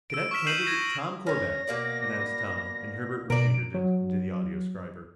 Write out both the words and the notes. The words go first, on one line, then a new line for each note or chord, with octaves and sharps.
"Cadet Candidate Tom Corbett," announced Tom, and Herbert repeated it into the audioscriber.
E6 D7
C#6 E6 F6 B6 E7
G6 C7 D#7 E7 F#7
G#6 A#6 E7
C#4 C#5 A#6
B2 A#3 D5
B2 A#4 D5 D7
F#3